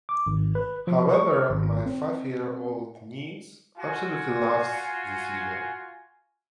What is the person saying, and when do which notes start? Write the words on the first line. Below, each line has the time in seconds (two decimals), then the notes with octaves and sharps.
However my five year old niece absolutely loves this video.
0.09 D6
0.26 G#1
0.55 B4
0.87 F3
1.14 C#6
1.34 F6
1.50 G#1
1.86 C4
3.77 F4 F#4 G#5